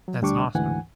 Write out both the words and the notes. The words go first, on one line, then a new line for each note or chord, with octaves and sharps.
That's awesome.
F#3
D2 G3 D4 C#6 D6
D2 G#2 E3 F#5 G#5